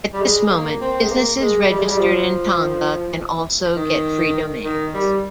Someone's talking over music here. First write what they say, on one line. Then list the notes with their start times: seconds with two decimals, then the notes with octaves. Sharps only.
At this moment businesses registered in Tonga can also get free domains.
0.14 G3
0.22 G#3
0.52 A#3
0.81 C4
1.02 G#3
1.11 A#3
1.41 G#3
1.70 G3
1.79 G#3
1.89 G3
1.99 F3
3.76 D#3
4.64 D#3
4.94 G3